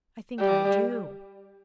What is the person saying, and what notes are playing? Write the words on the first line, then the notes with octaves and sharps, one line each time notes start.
"I think I do."
G3